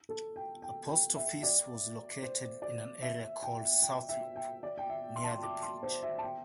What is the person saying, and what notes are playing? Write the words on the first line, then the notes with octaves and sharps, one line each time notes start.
A post office was located in an area called South Loup, near the bridge.
A4
G5
G5
G5
E5
D5
C5
D5
E5
G5
G5
E5
G5
D5
G5
E5
C6
A5
C6
D6
C6
C5
E5
A5
G5